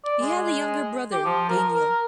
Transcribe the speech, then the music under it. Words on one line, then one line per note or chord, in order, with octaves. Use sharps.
He had a younger brother, Daniel.
D5
G#3
G4
F3
A#4
A#4